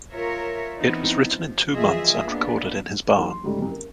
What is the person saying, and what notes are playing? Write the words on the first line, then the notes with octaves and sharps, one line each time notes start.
It was written in two months and recorded in his barn.
F4 A#4 C#5 E5
E3 B3 C4 D#4 E4
F3
E3 F3 F4 G#4 D#5 E5
A#3 B3 D4
E3 F#3 A#3 D#4 G#4
C6
G#2 C#3 G3 A3
F#1 C2
A#4